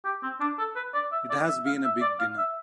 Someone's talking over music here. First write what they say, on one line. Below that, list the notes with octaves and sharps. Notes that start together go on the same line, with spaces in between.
It has been a big dinner.
G4
C4
D4
A4
B4
D5
E5
D5
E5
F5
E5
D5
F5
E5